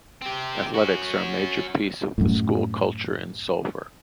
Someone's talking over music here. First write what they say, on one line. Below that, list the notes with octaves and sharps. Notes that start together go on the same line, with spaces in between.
Athletics are a major piece of the school culture in Sulphur.
C4 G4
C#4 F#4
F#2 A2